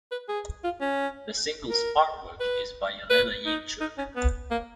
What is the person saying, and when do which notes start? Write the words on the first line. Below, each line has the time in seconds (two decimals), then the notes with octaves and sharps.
The single's artwork is by Yelena Yemchuk.
0.11 B4
0.29 G#4
0.64 F4
0.81 C#4
1.70 A#4
2.40 B4
3.10 B4
3.46 D#4
3.81 D#4
3.98 C#4
4.16 B3
4.51 A#3